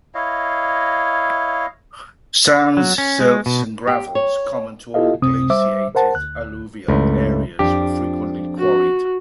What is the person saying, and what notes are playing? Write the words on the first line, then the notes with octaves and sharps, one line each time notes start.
Sands, silts and gravels, common to all glaciated alluvial areas were frequently quarried.
E4 C#5 D#5 F5
F#3
C#4
G#3
B2
G4
C#5
E4 F4 G4 A4 D#5 F5
C#2 F#2 C3 C4 D#6
G3 C5 E5 D6 E6
A#4 C5 F#5 A5
D2 F#6
C#2 G2 E3 A3
F2 F3 D4 G4
F#4